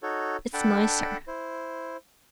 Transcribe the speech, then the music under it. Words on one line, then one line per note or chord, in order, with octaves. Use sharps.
"It's nicer."
D#4 F#4 A4 C#5
D4 A4 F#5 G5 A5 B5
E4 C5